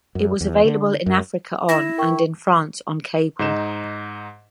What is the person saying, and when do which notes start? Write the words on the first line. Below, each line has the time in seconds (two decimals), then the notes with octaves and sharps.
It was available in Africa on and in France on cable.
0.15 F#2
0.41 E2
0.65 D3
1.06 F#2
1.69 E4 A#6 E7
1.98 A#4 G5 C#6
3.39 G#2 D#4 E7